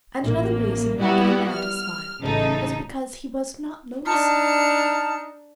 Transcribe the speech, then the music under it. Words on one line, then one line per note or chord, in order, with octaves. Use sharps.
And another reason Raggedy Andy smiled was because he was not lonesome.
A1 A#3
G3 B3 E4 F#4 G4
F6
A1 C#3 D#4 A4
D4 D#4 A5 F6 C#7